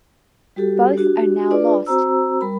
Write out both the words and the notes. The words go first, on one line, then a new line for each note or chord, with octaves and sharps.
Both are now lost.
G3 F#4 G4 A4
D4 F#4 G4
D4 F4 G#4 B4 D5
C4 F#4 C5 A#5 E6
G3 A#4 B5